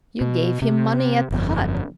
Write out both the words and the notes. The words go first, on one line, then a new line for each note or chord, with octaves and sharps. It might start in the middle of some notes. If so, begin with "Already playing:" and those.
You gave him money at the hut.
B2
C3
G1 F2